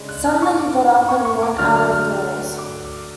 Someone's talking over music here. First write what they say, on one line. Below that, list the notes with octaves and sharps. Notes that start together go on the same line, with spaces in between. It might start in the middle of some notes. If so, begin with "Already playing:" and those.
Suddenly he got up and went out of doors.
Already playing: C#3 G#3 D4
F#6
F6
C#6
D6
C#6
C#6
D6
D3 F#3 A3 D4 F6
F6
F6
D6